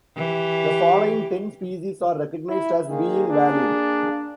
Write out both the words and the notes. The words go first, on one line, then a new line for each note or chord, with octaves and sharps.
The following ten species are recognized as being valid.
E3 G4
E4
D#3 A#3 G#4
D4